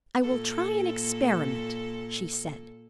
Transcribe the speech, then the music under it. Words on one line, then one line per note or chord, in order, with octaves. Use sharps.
"I will try an experiment," she said.
A#2 A4